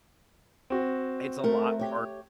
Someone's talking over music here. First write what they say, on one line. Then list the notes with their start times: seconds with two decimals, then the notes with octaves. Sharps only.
it's a lot harder
0.70 C4 F#4
1.44 A3 A4 A#4
1.79 G4 C#5